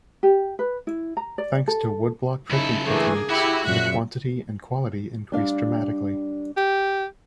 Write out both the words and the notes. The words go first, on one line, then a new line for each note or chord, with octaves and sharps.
Thanks to woodblock printing techniques, the quantity and quality increased dramatically.
G4
B4
E4
A#5
D5
A4
F#2 C#3 D#4 E4 A4
E3 A3 A#3 D4 G#4
E4 F#4 G4 F#5
F#2 A#2 E5 F#6
G3 D4 F5
G4